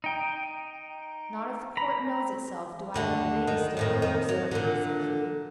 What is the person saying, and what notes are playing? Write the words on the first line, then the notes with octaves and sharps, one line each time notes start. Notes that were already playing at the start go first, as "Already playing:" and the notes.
"Not if the court knows itself do I let a lady stake my horse for me," said he.
D#4 G5
A#5 B5
D#2 D3 A3
D#3
F2 A2 D#3
D#3
F#3
A#2 D3